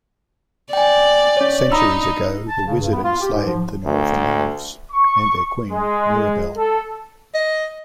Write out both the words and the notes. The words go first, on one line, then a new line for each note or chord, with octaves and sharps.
Centuries ago, the Wizard enslaved the Northern Elves and their Queen, Mirabelle.
D5 G5 G#5
C#4 C#5
D#4 A#5 B5 E6
A5
C#3
G2
B3
F4
G4
G#2
F3
D2
C#6
G#3
A4
D#5